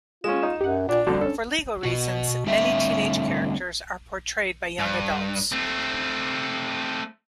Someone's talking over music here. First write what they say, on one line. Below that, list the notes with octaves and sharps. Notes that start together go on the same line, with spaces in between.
For legal reasons, many teenage characters are portrayed by young adults.
G#3 C#4 F4 E7
D#4
F#2 G4 F#5
A#2 D4 D5
F2 D3 G3 F#4
C#4 D4 A4
B2 F#4
D3 G3 A3 C4 E5
G2
A3 C4